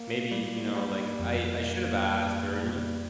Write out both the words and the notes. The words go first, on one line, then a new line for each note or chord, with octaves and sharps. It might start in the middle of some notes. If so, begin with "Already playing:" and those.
maybe, you know, like, I I should have asked or, you know?
Already playing: A#3
G3
G3
F2
A#3
G3
G3